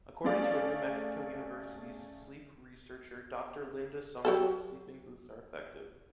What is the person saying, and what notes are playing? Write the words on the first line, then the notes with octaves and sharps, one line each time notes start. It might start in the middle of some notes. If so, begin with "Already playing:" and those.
According to a New Mexico University’s sleep researcher Dr. Linda Summers sleeping booths are effective.
A3 C#4 G#4 D5 F5
F#3 G4 A4